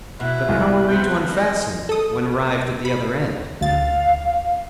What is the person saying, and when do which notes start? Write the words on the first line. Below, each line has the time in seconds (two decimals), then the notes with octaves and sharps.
But how were we to unfasten it, when arrived at the other end?
0.20 B2 E4 B4
0.49 C2 G#3
0.89 C4 G6
1.33 D#5
1.89 A4 D#6
2.85 B5
3.61 D2 F5 A6